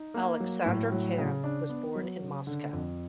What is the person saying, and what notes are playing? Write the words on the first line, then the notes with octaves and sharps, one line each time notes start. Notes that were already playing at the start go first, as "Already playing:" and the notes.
Aleksander Kan was born in Moscow.
Already playing: D#4
A#3
F#3
A2
F#3
C#3
D4
B3
F#3
C#3
D3
F2